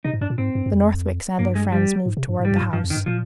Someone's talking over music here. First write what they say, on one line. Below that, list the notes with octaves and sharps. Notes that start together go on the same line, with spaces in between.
The Northwicks and their friends moved toward the house.
C3 D#4
G#2
G2 D4
A#2
G#2 C4
G2
G2
F2
G2 A#3
G#3
G3
G#2
C3
G2
G#2 G3
G2
F3
G#2
G2 F3
F2
D#3
G2
A#2 F3